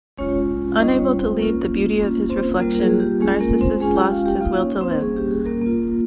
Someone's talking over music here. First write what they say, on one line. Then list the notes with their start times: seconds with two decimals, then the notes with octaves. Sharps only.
Unable to leave the beauty of his reflection, Narcissus lost his will to live.
0.18 G#3 C#4 F4 C#5
0.79 G3 C#4 D#4 F4 D#5
0.99 C#4 C#5
1.19 C4 C5
1.39 A#3 C#4 F4 A#4
2.00 A#3 C#4 F4
2.30 C4 C5
2.59 G3 A#3 F4 A#4
2.75 A#4
2.80 G#4
3.00 G4
3.20 G#3 C#4 F4 G#4
3.40 A#3 A#4
3.61 C4 C5
3.80 G#3 C#4 F4 G#4 G#5
3.96 G4 G5
4.11 F4 F5
4.25 G4 G5
4.40 A#3 F4 F5
4.45 D#4
4.61 C#4 C#5
4.81 C4 C5
5.01 G3 A#3 C#4 G#4
5.16 G4
5.31 G#4
5.46 A#3 A#4
5.61 A#3 F4